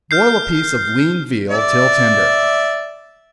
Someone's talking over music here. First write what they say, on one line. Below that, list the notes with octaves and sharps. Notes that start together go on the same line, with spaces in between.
Boil a piece of lean veal till tender.
F6 G6 C7
D5 E5